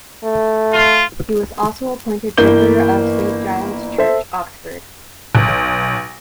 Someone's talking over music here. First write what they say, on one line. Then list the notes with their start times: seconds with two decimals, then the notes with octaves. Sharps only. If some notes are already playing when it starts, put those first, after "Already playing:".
He was also appointed Vicar of Saint Giles' Church, Oxford.
0.24 A3
0.73 F4
2.38 G1 E3 A#3 E4 G6 G7
3.98 A4 C5 E5
5.35 B1